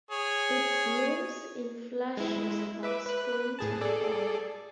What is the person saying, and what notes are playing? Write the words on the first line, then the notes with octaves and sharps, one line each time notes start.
It blooms in flushes from spring to fall.
G#4 C#5
G#3 E4
B4 E5 D6
B4 F#6
A2 G#4 A5
G#4 A4 D5